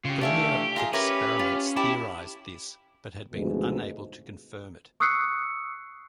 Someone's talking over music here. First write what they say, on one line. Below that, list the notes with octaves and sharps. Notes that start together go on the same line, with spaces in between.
Earlier experiments theorized this but had been unable to confirm it.
C#3 F4 G4
E3 A3 D4 F4 G4 E5 G#5
D#4 F4 G#4 D#6
C#4 E4 G4 A#4 B4 D6
F4
E4 G4 G5 A5 B5
G#1 D2 B2 F3 G#3
C#6 D#6 E6 F#6 C7 C#7